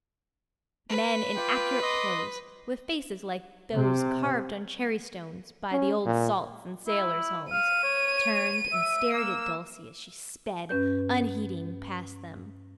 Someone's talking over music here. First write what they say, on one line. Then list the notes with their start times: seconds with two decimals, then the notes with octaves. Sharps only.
Men in accurate clothes, with faces like those carved on cherry stones by the old salts in sailors' homes, turned and stared at Dulcie as she sped, unheeding, past them.
0.89 B4
1.37 F4 G5 D6
1.82 D#5 C6 D6
3.74 C3
5.72 C#4
6.05 A#2
6.88 E4
7.52 F5 D#7
7.84 C#5
8.72 E5
9.14 A#3 E6
10.69 G2 C#4 B4 G6